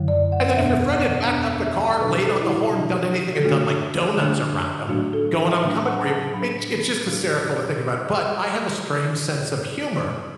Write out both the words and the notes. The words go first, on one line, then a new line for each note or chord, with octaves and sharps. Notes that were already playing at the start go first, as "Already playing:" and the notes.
And then if your friend had backed up the car, laid on the horn, done anything, and done, like, donuts around him going, "I'm coming for you." It it's just hysterical to think about it, but I have a strange sense of humor
Already playing: F#2 D3 F#3
D5
F#5
F#5
E2 B2 B3 D4 E5
F#5
E2 B2 B3 D4
E5
A4
B2 F#3 D4 B4
A4
E4
F#4
B2 F#3 D4
A4
D3 A3 D4 F#4
D3 A3 D4
A2 F#3 A3 D4 F#4
A4
B4
A2 F#3 A3 D4 E5
F#5
A5
A2 F#3 D4 B5
A2 F#3 D4